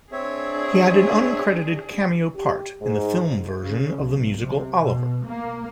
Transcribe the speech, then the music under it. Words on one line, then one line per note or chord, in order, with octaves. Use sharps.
He had an uncredited cameo part in the film version of the musical Oliver!
C4 D4 G#4 C#5 E5
G4
G#2
C#3
B1
C3
B2
A#3